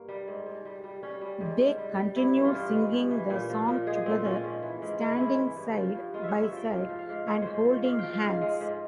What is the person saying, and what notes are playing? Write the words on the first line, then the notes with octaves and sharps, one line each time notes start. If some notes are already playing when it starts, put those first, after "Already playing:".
They continue singing the song together, standing side by side and holding hands.
Already playing: G2 A#3
G3
G#2
G#2
G3
G3
G3 C#4
G3
G#2
G#2
G3
G3
G2 E4
E3
F4
G2
G#3
G2
E3
A#2
F3
A#2
G#3 G#4
A#2 C4
F3 C#4
G#2
E3
G#2
G#3 E4
C#4
G#2 E4
E3
G2
F3
G2
G#3 F4
C#5 E5
G2
E5
F3
G5
G#2 F5
F3
F5
G#2
G#3 C#5
G#2 C5
F3 C#5
G#2 F5
F3 G5
F5
G#2
F5
G#3
G#2